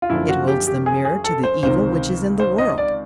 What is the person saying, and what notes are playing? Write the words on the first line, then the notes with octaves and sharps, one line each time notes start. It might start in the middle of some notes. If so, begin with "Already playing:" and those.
It holds the mirror to the evil which is in the world.
F4
F#2 D3 F3 A#3 E4
F#4
G4
G4
G#4
G#4
A4
C5
C#2 C3 D#3 C5
C5
D#5
D5